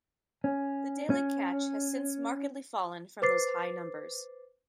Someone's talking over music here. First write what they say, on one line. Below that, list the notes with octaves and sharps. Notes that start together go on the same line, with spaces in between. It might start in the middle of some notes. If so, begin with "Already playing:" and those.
The daily catch has since markedly fallen from those high numbers.
C#4
C#4
B4 C5 D6 A6 C7